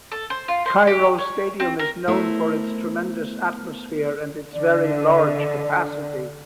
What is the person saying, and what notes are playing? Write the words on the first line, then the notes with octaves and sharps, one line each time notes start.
Cairo Stadium is known for its tremendous atmosphere and its very large capacity.
A4
C5
F4
C5
G4
C#5
C4
A#4
A3 B3 E4 A#4 C5
D3 D5